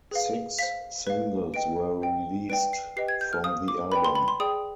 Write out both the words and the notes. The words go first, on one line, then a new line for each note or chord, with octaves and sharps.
Six singles were released from the album.
G#4 B4 F5
C5 F5 B6
B4 F5
B4 D#5 G5 D7
C5 D#5 G5
B4 D5 G5 D7
C7
G4 B4 D#5 G5 C7
G#6
G6
F6
C5 F5 D#6
D6
B4 D5 G5 B5
C6
B5
C6
G#4 D5 G5 D#6